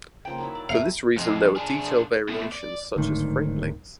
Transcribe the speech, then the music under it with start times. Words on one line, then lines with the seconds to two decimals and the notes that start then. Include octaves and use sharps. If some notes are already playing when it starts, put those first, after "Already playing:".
For this reason there were detail variations such as frame length.
0.25 C#3 F3 A#3 G5
0.38 D#3 F#3 E4
0.55 D5
0.69 G3 A3 E5 F5 A#5
1.17 F2 G#3
1.56 D4 G#4
2.29 B2 A3
2.52 D5
2.96 D1 D2 G#2 D#3